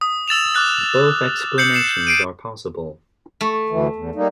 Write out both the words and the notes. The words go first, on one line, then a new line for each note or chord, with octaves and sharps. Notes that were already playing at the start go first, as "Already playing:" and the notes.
Both explanations are possible.
D#6
E6 A6 E7 F7
D6 F6 F#6 A6
G6 C7 C#7 F#7
C7 E7
C7 D7 D#7
A3
D2 E3
E2
G3 A#3 D#4